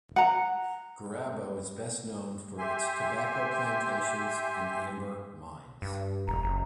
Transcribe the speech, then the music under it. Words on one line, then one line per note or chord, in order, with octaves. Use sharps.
Gurabo is best known for its Tobacco Plantations and Amber Mines.
F#5 A#5
G4 E5 G#5 C6
G2
E1 A#5
F#1